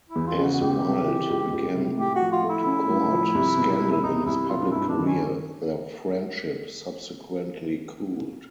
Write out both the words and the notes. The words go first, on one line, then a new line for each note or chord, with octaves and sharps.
As Wilde began to court scandal in his public career, their friendship subsequently cooled.
E4
E2
F4
C#3
F#4
F#4
C#2 G4
C3
E3
C#2
C#2
C3
A2 G4
F#4
F3
F4
A3
E4
C#4
A2
F3
C2
B2
G3
E4
C2 D#4
C2 E4
B2 F4
G2 E4
D4
D#3
C#4